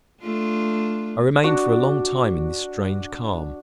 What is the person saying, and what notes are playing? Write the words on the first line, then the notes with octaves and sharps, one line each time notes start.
I remained for a long time in this strange calm.
A3 D4 F4
D4 F#4